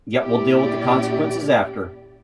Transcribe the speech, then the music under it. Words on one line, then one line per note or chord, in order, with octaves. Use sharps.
Yeah, we'll deal with the consequences after.
A#2 C#4 E4 G4 D5